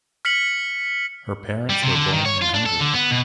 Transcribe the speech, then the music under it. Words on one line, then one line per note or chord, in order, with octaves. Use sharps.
Her parents were born in Hungary.
F6 B6 C#7 F#7
G3
C3
D3
D#3
C#5
F4
D4
A4
D3
B3
B2